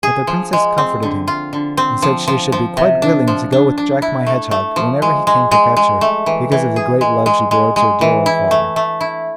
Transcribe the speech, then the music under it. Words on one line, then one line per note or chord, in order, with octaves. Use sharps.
But the Princess comforted him, and said she should be quite willing to go with Jack my Hedgehog whenever he came to fetch her, because of the great love she bore to her dear old father.
G#4
F3
G#3
C4
D3
F4
D3
C4
F3
F3
F3
C3
D4
F3
D4
D4
E4
A3
A3
F3
G#3
G#3
G#3
G#3
A3
E3
E3
G#4
G#3
G#3
G#3
G#3
E3
E4
A3
A3
E4